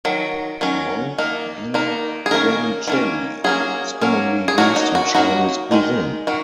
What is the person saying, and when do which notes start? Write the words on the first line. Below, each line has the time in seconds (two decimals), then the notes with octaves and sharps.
Mung bean vermicelli is commonly used in Chinese cuisine.
0.05 D#3 F#3
0.61 D#3 F#3 C#4
1.18 D#3 A#3 D#4
1.74 D#3 A#3 D#4
2.26 G#4
2.31 D#3 A#3 C#4 A#4
2.87 D#3 A#3 C#4
3.44 F#3 A#3 C#4 G#4
4.01 F#3 A#3 C#4
4.48 G#4
4.58 F#3 A#3 D#4 F#4
4.76 D#4
4.95 F#4
5.14 F#3 A#3 D#4 F#4
5.71 D#3 G#3 D#4
6.27 D#3 F#4